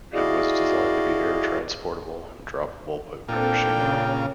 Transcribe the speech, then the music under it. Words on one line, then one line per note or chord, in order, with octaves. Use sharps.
It was designed to be air-transportable and droppable by parachute.
E4 F#4 G#4 D5 D#5 F5
A#2 C4 D4 F4 A4 G5
C#3